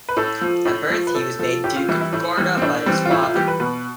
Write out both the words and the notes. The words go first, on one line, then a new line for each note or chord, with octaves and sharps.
At birth, he was made Duke of Guarda by his father.
B4
A2 A4
F3
A2
F3
B4
A2 A4
F3 A4
A2 G4
F4
E3 G3 E4
E4
A2
E3 G3
C4
A2 D4
E3 G3 C4
F4
A2 E4
F4
E3 G3 G4
B4
B2 B4